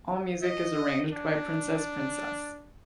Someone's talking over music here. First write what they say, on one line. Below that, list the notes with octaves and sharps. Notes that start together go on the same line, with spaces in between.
All music is arranged by Princess Princess.
D#5
D4